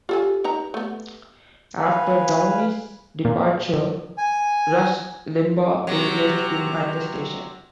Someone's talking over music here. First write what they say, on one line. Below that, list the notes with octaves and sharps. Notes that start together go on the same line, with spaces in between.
After Downey's departure, Rush Limbaugh replaced him at the station.
F4 G4 A4 G#5
D#4 B4 A#5
A3 B3
B4 F5 G#5 B5
A#2
G#5
C3 F#3